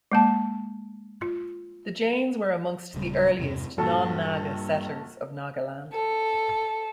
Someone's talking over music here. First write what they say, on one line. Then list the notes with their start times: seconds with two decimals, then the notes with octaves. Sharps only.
The Jains were amongst the earliest non-Naga settlors of Nagaland.
0.12 G#3 A#3 A5
1.22 F4
2.94 D#1 C#3 G3
3.39 E2 G2 C3
3.78 A#1 G2 F#3 A4
5.94 A4